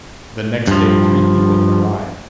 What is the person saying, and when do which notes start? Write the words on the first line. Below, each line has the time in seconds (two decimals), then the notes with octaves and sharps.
The next day three people arrive.
0.67 G2 F3